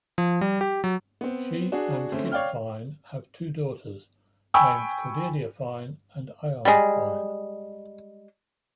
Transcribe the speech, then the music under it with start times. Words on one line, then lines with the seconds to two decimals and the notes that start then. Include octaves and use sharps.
She and Kit Fine have two daughters named Cordelia Fine and Ione Fine.
0.18 F3
0.41 G3
0.61 G4
0.84 F#3
1.21 B3 C4
1.72 D4 F#4 G#4
2.12 D3 A3 C4 C#4
2.32 C#5 D5 F5 G5 F6
4.54 G5 G#5 B5 C#6 E6
6.65 G3 G#3